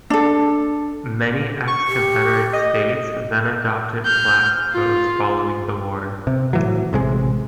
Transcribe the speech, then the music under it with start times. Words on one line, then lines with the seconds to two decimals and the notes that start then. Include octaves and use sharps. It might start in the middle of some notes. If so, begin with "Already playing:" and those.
Many ex-Confederate states then adopted Black Codes following the war.
0.10 D4 A4
1.67 C#6
1.87 G4
2.53 D#5
4.05 F6 G6
4.73 F4
6.27 C3
6.53 A2 E3 F#3
6.93 A1 C3 G#3